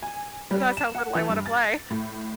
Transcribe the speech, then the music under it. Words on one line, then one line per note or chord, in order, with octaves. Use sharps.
That's how little I wanna play.
G#5
G3
E7
F#5
E3
G2
A6
A2